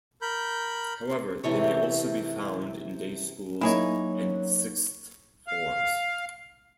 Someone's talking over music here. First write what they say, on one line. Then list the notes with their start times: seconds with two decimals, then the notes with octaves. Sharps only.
However, they may also be found in day schools and sixth forms.
0.22 A#4 B5 G6
1.44 C3 E3 A3 C#5
3.61 F#3 A#3 D#4 E4 G#4 C#5
5.47 F5